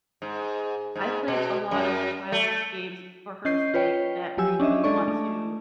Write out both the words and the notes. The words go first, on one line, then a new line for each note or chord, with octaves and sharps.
I've played a lotta childish games for her sake that make me want to
G#2
G#2
B2
F#2
A3
C#4 D#5 G6 C7
F4 B4 C#5 G5
F3 F#3 G4 G#5 E6
C#4 D4 D#5 E5
G#3 D4 A4 D5 C#6
A3